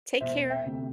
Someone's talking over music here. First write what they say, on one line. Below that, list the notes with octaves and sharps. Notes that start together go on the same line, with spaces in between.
take care.
E1 C5 E5
E5 G5
D2 C3